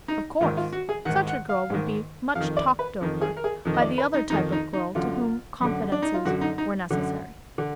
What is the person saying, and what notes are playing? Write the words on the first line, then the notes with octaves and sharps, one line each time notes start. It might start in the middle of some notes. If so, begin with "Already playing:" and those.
Of course such a girl would be much talked over by the other type of girl to whom confidences were necessary.
D#4
G#2 D#3 F4
F4
F#4
G#4
G#2 D#3 F#5
F#5
F5
G#2 D#3
F2 F5
D#3
D5
B4
F2 D#3
G#4
A#4
G#4
F2 D#3
D#5
D5
B4
D#4
F2 D#3 D#4
D#4
D#4
F#2 D3 F4
F#2 D3
D4
D#4
F4
F#2 D3 F#4
D#4
D#4
F#2 D3
D3